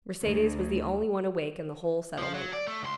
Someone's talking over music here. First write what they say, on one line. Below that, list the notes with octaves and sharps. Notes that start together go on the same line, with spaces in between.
Mercedes was the only one awake in the whole settlement.
D2
F3 F4
F#3
D5
A3
C#2 C6